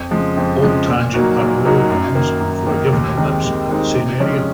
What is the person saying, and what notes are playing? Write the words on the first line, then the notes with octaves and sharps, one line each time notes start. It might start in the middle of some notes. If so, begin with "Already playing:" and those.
All tangent parallelograms for a given ellipse have the same area.
Already playing: F2
C#3 F3 G#3
F2
C#3 F3 G#3
A#2
F#3 A#3 D#4 F#4
A#2
F#3 A#3 D#4 F#4
F#2
D#3 A#3 D#4
F#2
D#3 A#3 D#4
D#2
D#3 G#3 C4 D#4
D#2
D#3 G#3 C4 D#4
C3
F3 G#3 C#4